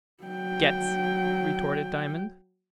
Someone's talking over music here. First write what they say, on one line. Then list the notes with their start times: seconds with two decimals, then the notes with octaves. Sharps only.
"Gets!" retorted Diamond.
0.24 F#3 G5